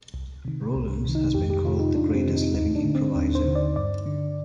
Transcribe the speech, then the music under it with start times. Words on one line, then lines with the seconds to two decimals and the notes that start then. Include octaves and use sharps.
Rollins has been called the greatest living improviser.
0.14 C2
0.45 C3 D#3
0.75 C2
1.04 C3 D#3
1.15 D#4
1.34 F2 G4
1.50 G4
1.64 C3 D#3 F4
1.80 D#4
1.95 F2 D4
2.15 C4
2.25 C3 D#3
2.36 D#4
2.55 D#2 D#4
2.76 D4
2.85 D3
2.95 C4
3.15 D#2 D4
3.35 C5
3.45 D3
3.55 D5
3.76 G2 D5
4.06 D3